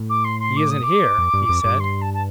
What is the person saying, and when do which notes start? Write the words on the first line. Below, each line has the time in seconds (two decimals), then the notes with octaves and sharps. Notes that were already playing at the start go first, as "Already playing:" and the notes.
"He isn't here," he said.
Already playing: A2
0.09 D6
0.24 C6
0.40 C6
0.56 D6
0.70 D#6
0.83 D6
1.18 F2
1.34 G2
1.49 F2
1.65 G2
1.80 C6
2.01 A5
2.14 A5